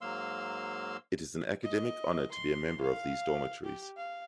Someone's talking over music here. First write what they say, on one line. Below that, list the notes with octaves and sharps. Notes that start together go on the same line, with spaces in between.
It is an academic honor to be a member of these dormitories.
G#2 F#3 A#3 F5 C6 E6
D#5
C6
F5
G4
F5